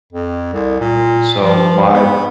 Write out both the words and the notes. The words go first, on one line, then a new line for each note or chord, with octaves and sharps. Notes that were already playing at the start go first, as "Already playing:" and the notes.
and so my
F2
C2
A#2
F3
B3